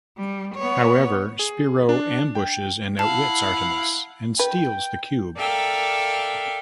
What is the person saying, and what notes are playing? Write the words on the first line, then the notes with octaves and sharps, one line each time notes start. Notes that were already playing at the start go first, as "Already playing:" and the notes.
However, Spiro ambushes and outwits Artemis and steals the Cube.
G3
B3 C#5
G#4
D4
G5
E4 F5 F#5 A5
B4 G5
A4 A#4 D5 E5 F5 G5